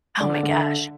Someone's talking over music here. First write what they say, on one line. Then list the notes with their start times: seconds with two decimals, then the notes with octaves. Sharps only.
Oh my gosh.
0.20 D3 D5
0.43 D3
0.51 E5